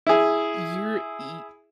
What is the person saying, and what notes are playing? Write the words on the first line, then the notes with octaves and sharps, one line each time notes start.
you're y
E4 G#4